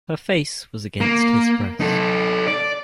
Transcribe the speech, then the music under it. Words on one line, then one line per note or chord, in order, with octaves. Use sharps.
Her face was against his breast.
A#3
D#4 A4
D5